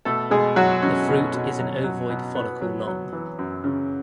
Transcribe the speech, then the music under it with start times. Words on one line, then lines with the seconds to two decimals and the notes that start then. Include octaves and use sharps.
The fruit is an ovoid follicle long.
0.05 B2 A3 A4
0.31 B2 G#3 G#4
0.56 F#3 F#4
0.82 F#3 C#4
1.08 B2
1.33 B2
1.59 F#3
1.84 F#3
2.10 B2
2.35 B2 B3
2.61 F#3
2.88 F#3
3.13 E3
3.39 F#2
3.64 C#3